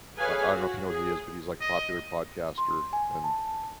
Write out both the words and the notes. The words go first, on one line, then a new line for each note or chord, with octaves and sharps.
I I don't know if you know who he is, but he's, like, a popular podcaster, and
G#4 A4 B4 C#5 F5 G#5
F#4
G#4
D#5
C6
G#5
A5